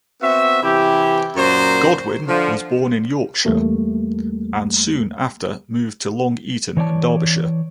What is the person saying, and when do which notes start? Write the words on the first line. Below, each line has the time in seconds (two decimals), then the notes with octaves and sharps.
Godwin was born in Yorkshire and soon after moved to Long Eaton, Derbyshire.
0.22 B3 C4 F#4 E5
0.63 C3 E3 E4 G4
1.36 F#2 A#2 F#4 C5 A#5
2.28 D3 F3
3.45 E2 G3 A3 A#3
6.77 E3 C#5 D5 A5